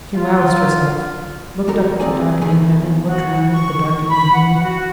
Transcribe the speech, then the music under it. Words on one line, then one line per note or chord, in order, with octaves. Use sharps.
She roused herself; looked up at the darkening heaven, looked round at the darkening view.
F4
A2 F#3 A4 A#4 A#5
C4 F4 G#4 D5 G#5
E2 D#3 E3 A3 G#4 G#5
F#4
C#6
B5
F#5
F#4